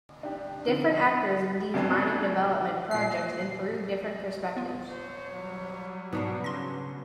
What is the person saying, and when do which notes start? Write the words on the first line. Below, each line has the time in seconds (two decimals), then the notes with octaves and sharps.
Different actors in these mining development projects in Peru different perspectives.
0.23 D4 G4
0.67 D3 F3
1.74 C#2 G#2 B2 C4 D4 B4
2.91 A#2 C7
4.57 B3 F4
4.89 C5 C#5
5.33 F#3 G3
6.13 G#2 B2 B3 D4 F#4
6.44 C#3 C6 A#6